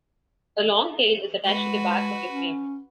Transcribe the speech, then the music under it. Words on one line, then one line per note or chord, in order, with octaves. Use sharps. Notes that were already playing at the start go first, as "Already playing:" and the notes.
A long tail is attached to the back of the frame.
G#3 F#4 B4
C#4